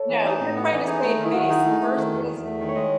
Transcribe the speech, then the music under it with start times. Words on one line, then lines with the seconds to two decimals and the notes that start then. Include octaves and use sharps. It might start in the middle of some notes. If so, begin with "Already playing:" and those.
No, you're trying to save face. First it was,
Already playing: A4 C#5
0.09 E3
0.25 D#4
0.40 A2
0.55 B3
0.72 E3
0.87 D#4 G#4
1.02 A3
1.18 D#3
1.25 E4
1.34 D#3 F#4
1.49 D#4 G#4
1.66 A3 E4
1.81 A3
1.97 D#3
2.13 E2
2.28 E2
2.44 A3
2.59 D#3
2.68 C#5
2.75 G#3 D#5